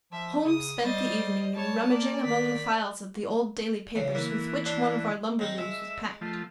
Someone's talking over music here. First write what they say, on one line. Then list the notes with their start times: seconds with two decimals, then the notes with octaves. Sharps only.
Holmes spent the evening in rummaging among the files of the old daily papers with which one of our lumber-rooms was packed.
0.12 F3 E5
0.44 C#3 D#6
0.83 G3 C5 D#5 A6
1.55 G3 C#5 A5
1.92 A#3 D5
2.25 D#3 B6
3.95 B1 E2 C#3
4.15 E3 A#3
4.66 D4 C5
5.39 G#2 C4 D#4
5.58 G#3 E5
6.21 F3 A3